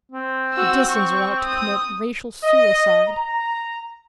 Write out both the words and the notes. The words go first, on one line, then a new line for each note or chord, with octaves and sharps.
The Disans are out to commit racial suicide.
C4
F#4 E6
C#6
D#6
D#5
A#5